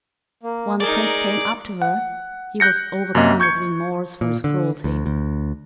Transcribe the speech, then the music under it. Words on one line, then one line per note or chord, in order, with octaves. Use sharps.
When the prince came up to her, he was overcome with remorse for his cruelty.
A#3
D#4 G#4 A#4 D5
F#5
F#6 G6 A#6 C#7
F#2 C3 A#3 D#5
C#6 G6 G#6 C#7
A#2
D3
D2
D2